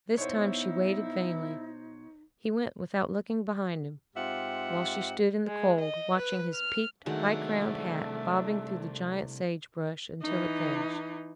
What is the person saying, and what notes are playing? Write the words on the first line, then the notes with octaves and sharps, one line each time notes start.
This time she waited vainly. He went without looking behind him, while she stood in the cold watching his peaked high-crowned hat bobbing through the giant sagebrush until it vanished.
B2 B3 D#4 E4 C5 C#5
G#2 C4 F4 G4 E5 F#5
G#3
D#5
B4
F6
C2 D#3 F#3 G#3 A3 D4 E5 F#5
E3 D#4